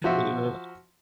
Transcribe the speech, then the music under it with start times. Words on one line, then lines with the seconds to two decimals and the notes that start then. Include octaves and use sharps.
You know?
0.04 F3 F#4 E5 C#6